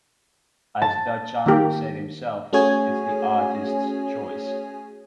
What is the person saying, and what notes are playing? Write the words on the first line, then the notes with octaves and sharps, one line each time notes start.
As Duchamp said himself, it's the artist's choice.
A5
D#3 A#3 G4
A3 C#4 F#4 G#4 C#5 G#5